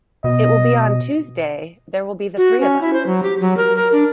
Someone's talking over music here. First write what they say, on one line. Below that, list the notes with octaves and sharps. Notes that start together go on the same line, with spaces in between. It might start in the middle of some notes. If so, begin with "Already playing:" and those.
It will be on Tuesday; there will be the three of us.
B2 D#5
F#4
C#4
E4
C5
F#3
G4
F#3
A#4
A#4
D4